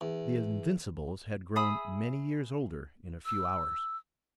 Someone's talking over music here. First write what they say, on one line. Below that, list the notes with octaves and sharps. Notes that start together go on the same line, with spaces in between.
The Invincibles had grown many years older in a few hours.
E2
G#4 E5 B5 D#6
E6